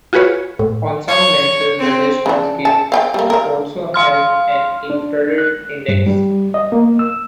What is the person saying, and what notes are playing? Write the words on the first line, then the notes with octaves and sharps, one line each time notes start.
On some lenses the distance scale also has an infrared index.
F4 F#4 G#4 B4 C#5
A2
C#5
C4
C#3 D4
A5
F5 G5 G#5
G3 A#3
A#4 F5
F5 C6 F6
D4
F#6
G2
G3
D#5
A#3
E6